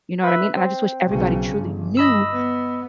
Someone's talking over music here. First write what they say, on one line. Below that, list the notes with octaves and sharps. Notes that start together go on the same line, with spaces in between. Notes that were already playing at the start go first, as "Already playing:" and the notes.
You know what I mean? And I just wish everybody truly knew
B4 E5
C4
B1 C#3
G1
D#5 B5 E6
B3